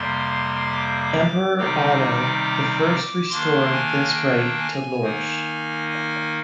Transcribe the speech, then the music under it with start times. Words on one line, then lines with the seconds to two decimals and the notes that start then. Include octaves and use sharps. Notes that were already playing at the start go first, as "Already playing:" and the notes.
Emperor Otto the First restored this right to Lorsch.
Already playing: F2 C3 G3 A#3 C6
0.72 D6
1.15 D6
1.57 C3 D#3 G3 C4 D#4 D6
3.30 D#3 A#3 D4 C6
3.72 G#5
4.15 G5
4.59 G#5
5.02 D#3 A#3 D#4
5.88 G#5